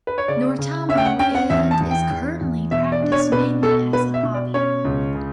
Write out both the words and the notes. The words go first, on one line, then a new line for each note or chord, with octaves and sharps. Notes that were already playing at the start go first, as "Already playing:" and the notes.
Nortamo, and is currently practiced mainly as a hobby.
B4
C#5
C#3 D5
C#3
C#4 E5
G5
F#5
C#4 G5
F#5
E2 E5
A5
E2
G5
E2
E2
B2 E5
D5
D4
C#5
B2 B4
B2 A4
B2 B4
E5
B2
D5
C#4 C#5
C#2
C#3